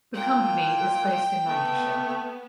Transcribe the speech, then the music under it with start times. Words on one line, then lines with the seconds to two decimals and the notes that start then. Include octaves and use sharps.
The company is based in Lancashire.
0.14 A#2 G5
1.48 A3 B3